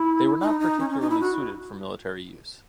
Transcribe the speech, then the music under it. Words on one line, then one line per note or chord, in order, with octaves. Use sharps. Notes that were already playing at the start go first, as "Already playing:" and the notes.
They were not particularly suited for military use.
Already playing: E4
D#4
D#4
C#4
C#4
D#4
E4
F#4